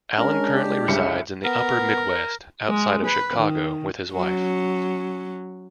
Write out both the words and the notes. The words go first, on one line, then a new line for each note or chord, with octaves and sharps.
Allen currently resides in the upper midwest, outside of Chicago, with his wife.
G#3 C#4 D4 A#4
G4
C2 C#3 G3 C#7
B3 A#4
G#3
B4
D#3
F#3 C#4